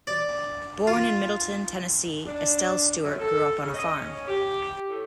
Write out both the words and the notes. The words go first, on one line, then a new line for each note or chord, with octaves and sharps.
Born in Middleton, Tennessee, Estelle Stewart grew up on a farm.
D5
F4
D4
F#2
A4
C#3
D#5
C#4
G4
A2